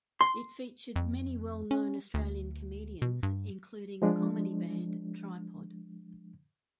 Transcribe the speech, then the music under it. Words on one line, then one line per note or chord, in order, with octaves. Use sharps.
It featured many well-known Australian comedians, including comedy-band Tripod.
C6
F2
C#4
D2
B2
G2
F3 G#3 D4